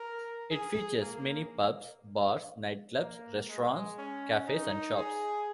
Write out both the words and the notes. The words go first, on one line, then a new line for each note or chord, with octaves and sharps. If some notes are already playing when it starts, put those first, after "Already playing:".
It features many pubs, bars, nightclubs, restaurants, cafes and shops.
Already playing: A#4
G#4
A#3
A#3
G#3
C#4
D#4
G#4